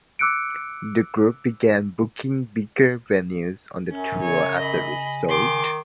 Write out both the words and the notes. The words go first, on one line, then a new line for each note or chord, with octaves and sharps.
The group began booking bigger venues on the tour as a result.
D6 E6 F#6 C#7 D7
F#2 C#4
C#3 C#5 G#5
D#5 B5
D#3 C6 D6